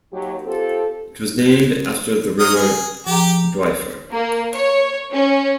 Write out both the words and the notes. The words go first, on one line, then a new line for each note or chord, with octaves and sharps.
It was named after the river Dwyfor.
D#2 F#3 G4
C4 F4 G4 A4
F#3 D#6 F6
G#4
F3 G4 G#4 A#5 D6
A#3
C#5
C#4